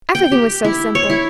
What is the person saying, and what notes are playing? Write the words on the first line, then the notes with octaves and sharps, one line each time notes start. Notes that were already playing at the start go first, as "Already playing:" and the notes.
Everything was so simple.
G5
G4
E4
C#5
E4